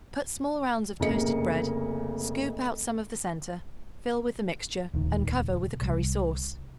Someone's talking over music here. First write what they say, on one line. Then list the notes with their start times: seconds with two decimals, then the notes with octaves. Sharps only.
Cut small rounds of toasted bread; scoop out some of the centre; fill with the mixture and cover with a curry sauce.
1.00 F1 C#3 A#3 D#5 C#7
4.94 D#1 C#2 D#3
5.82 C2